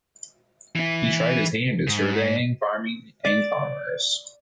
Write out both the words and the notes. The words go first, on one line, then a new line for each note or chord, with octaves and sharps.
He tried his hand at surveying, farming and commerce.
E3 E4
G#2
D5